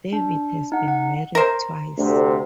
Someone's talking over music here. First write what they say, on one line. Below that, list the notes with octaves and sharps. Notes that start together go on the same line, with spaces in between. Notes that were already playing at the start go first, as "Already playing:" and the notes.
David has been married twice.
D4
D#4 F#5
F#5
A#4 C5
D2 C3